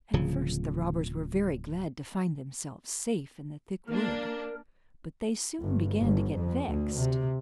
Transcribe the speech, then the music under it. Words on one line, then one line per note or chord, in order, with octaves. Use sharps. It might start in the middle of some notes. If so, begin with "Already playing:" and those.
At first the robbers were very glad to find themselves safe in the thick wood, but they soon began to get vexed.
D1 C#3 F3
A#3 D4 A#4
G1
G1
F2
D2
C3